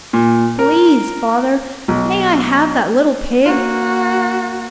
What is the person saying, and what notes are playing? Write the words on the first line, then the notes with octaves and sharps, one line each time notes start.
"Please, Father, may I have that little pig?"
A#2
A#4
B1
A#3 F#4